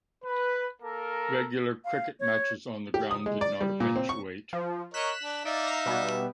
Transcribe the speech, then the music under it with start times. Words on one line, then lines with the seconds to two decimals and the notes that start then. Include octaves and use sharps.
Regular cricket matches on the ground did not eventuate.
0.24 B4
0.82 A#3 A4 A#4
1.85 F5
2.20 C#5
2.94 G4
3.11 D#6
3.26 G#3
3.41 D5
3.61 G3
3.80 A#2
3.96 C4
4.09 C#6
4.53 F3
4.94 A#4 C#5 D#5 F#6 B6 E7
5.23 D4
5.45 D#4 D5 E5 F5
5.67 A#5 C7
5.86 B2 G3 B3